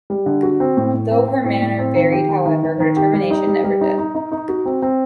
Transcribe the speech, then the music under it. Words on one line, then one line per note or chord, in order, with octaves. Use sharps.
Though her manner varied, however, her determination never did.
G3
D3
F#4
C4
A2
A2
C4
C4
A2
A2
C4
D#3
G4
D#3
D#3
D#3
D#3
G4
G3
D#4
G3
G3
D#4
D#4
D#4
D#4
F#4
C4
C4